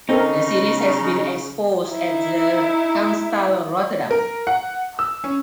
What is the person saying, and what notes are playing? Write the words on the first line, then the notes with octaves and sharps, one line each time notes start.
The series has been exposed at the Kunsthal Rotterdam.
C#3 C4 D#4 A4 A#4
D#4 E4
A#4
F#5
E6
C#4